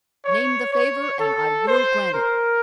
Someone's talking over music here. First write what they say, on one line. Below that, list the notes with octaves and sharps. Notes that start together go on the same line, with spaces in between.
"Name the favor and I will grant it."
C#5
C#5
A4
C5
A#4